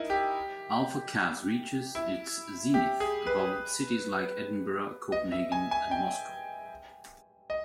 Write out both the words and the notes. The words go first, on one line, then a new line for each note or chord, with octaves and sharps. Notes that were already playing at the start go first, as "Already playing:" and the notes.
Alpha Cas reaches its zenith above cities like Edinburgh, Copenhagen and Moscow.
Already playing: D#4 E4 A#4
G4
E4
G4
G#4
B4
D#5
E5
G#5
G#5
G5
D#5